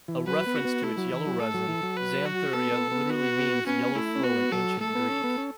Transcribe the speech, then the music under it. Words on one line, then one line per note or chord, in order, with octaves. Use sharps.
A reference to its yellow resin, "Xanthorrhoea" literally means "yellow flow" in Ancient Greek.
E3
F#3 B4
B3
F#4
B3
A3 E4
F#3
E3
F#3
A3 A4
F#3
E3
F#3
B4
F#4
B3 A4
B3
B3
F#4
B3 C#4
A3 E4
C#4
B3 F#4
F#3 A4
A3 A4
B3
C#4
B3
C#4